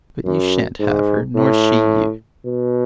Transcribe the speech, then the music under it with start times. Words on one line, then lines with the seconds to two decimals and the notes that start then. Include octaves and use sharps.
But you shan't have her, nor she you.
0.25 F#2
0.80 G#2
1.36 A2
2.46 B2